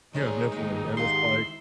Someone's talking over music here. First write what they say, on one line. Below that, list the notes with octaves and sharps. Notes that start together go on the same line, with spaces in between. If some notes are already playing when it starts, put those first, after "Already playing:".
Yeah, definitely, and it's like
D#3 G#3 C#4 D#4 G#4 C#5 D5
D#3 G#3 A#3
G4 F5 F#5 C6
E4